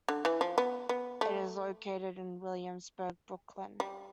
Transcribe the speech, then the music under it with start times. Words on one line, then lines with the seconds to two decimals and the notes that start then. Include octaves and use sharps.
It is located in Williamsburg, Brooklyn.
0.09 D3
0.25 E3
0.41 F3
0.58 B3
0.89 B3
1.21 A3
3.80 G3